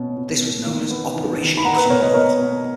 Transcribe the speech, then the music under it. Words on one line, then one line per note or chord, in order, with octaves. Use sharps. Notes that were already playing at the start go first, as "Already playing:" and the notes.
This was known as Operation Condor.
Already playing: B2 C#4
B2
B2
D#3
B3
D#3
D#3
B5
A#3 F#5 A#5
B4
B2 A#4 C#5
B4 D#5
B2 A#4 C#5
B2